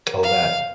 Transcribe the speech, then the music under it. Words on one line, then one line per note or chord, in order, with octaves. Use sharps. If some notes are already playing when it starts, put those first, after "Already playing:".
all that,
F5